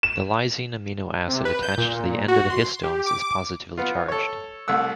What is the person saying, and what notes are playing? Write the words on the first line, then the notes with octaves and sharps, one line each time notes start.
The lysine amino acid attached to the end of the histones is positively charged.
E7
C3
B4
G6
A#2
F#4
C6
G4
D6
B3 F4
A4 C#5
C2 A3 F#5 E6